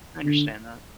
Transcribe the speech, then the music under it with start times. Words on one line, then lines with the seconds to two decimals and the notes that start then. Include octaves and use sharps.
I understand that.
0.23 D3